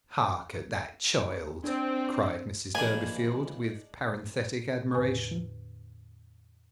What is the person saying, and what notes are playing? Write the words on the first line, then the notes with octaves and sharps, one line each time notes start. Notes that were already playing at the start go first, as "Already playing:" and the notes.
"Hark at that child!" cried Mrs Durbeyfield, with parenthetic admiration.
C4 D4 D5
E3 F3 G#3 A#3 D4 G#5
E2 A2 D3 B4 G#5 C#6